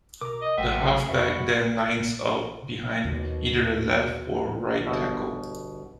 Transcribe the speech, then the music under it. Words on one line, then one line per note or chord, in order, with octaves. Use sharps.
The halfback then lines up behind either the left or right tackle.
B2 A#4 A#5 D6
D#5
A1 F#3 A3 C5 E5 F#5 G5 D#7
G#4
F2 F#4 B4 E5
D#2 B2 D#3
G1 B2 E5